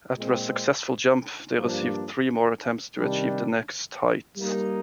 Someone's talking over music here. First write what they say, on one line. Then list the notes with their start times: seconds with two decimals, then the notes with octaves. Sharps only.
After a successful jump, they receive three more attempts to achieve the next height.
0.17 A#2 G#3 C4
1.58 G2 F3 A#3 D4
2.98 C3 D#3 G3 D4
4.37 G3 A#3 D#4